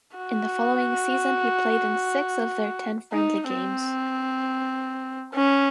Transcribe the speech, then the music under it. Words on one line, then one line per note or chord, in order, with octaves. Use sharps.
In the following season he played in six of their ten friendly games.
F#4
D#4
C4
C#4